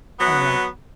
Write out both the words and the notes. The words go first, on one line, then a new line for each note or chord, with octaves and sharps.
or, like
F#3 B3